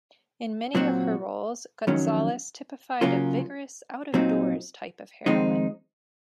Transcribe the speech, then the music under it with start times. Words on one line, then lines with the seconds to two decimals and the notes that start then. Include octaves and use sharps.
In many of her roles, Gonzalez typified a vigorous out-of-doors type of heroine.
0.75 A#2 F#3 C4 F#4
1.87 F2 D#3 F#3 C#4
3.01 C#3 F#3 A#3 C#4 F4
4.14 A#2 F#3 C4 D#4
5.26 F2 D#3 G#3 C4 D#4